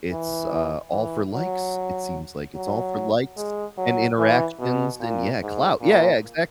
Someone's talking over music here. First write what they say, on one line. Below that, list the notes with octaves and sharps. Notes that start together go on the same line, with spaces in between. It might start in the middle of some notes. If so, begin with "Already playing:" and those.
it's, uh, all for likes, it seems, like, it's all for likes and interactions, and yeah, clout, yeah, yeah, exactly,
E3
E3
F#3
F#3
G#3
F#3
E3
B2
A#2
G#2
A#2